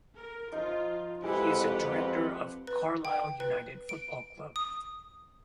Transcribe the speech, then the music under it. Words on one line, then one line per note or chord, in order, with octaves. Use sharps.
He is a director of Carlisle United Football Club.
A#4
F3 D#4 F4
F2 G#3 E4 G4 B4 F#5
C4
B4
G5
B4
D7
D#6